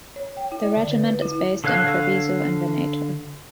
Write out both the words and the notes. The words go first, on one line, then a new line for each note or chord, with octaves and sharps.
The regiment is based in Treviso in Veneto.
C#5
G5
E4
D5
D3
B4
B4
E4
D3 A4 C#5 F5 F#6